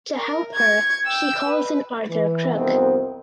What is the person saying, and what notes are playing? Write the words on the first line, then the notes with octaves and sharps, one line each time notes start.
To help her she calls in Arthur Crook.
A#4
C#6 G#6
G5 E6
B4
E3
C2 F2 D#3 B3 C4